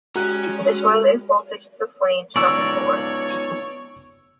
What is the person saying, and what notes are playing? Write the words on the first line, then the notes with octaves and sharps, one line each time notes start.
The toilet is bolted to the flange, not to the floor.
G#3 C#4 F#4 G4 A#5 F#6
B3 D#4 F4 C#5 D5 C#6 E6